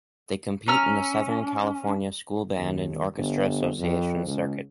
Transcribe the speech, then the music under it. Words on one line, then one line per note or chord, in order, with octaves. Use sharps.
They compete in the Southern California School Band and Orchestra Association circuit.
C#4 A#5 E6 F6
D#2
G1
F2
C#2